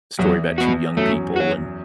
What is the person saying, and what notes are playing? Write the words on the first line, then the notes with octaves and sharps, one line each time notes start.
story about two young people, and
E2 E3 F#3
B3 F#4
F#2 F#3 A3
F#4 C#5